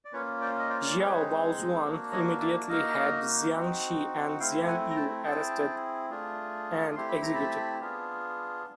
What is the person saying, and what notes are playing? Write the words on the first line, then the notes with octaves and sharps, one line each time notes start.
Xiao Baojuan immediately had Jiang Shi and Jiang You arrested and executed.
D5
A#3 C#4 F4 B4 C#5
C5 D5
D#5
C5 D5
D5
G#3 C4 D#4 G#4 B4 C#5
A#3 D4 F#4
C#5 D#5
D5 E5
A#3 D#4 F#4 D#5 F5
C4 D#4 F#4
F#5
A3 C4 E4 F5 G5
F#5 G#5
A#5
G5 A5
C4 E4 G#4 G5 A5
A3 D4 F4 G#4
A3 C4 E4 G4 C6
B5
A#5
A5 B5
B3 D4 F4 G#4